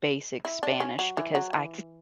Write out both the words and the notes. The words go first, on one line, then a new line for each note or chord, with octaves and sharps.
basic Spanish because I
E4
D4
C#4
F#3
E3
F#3
E3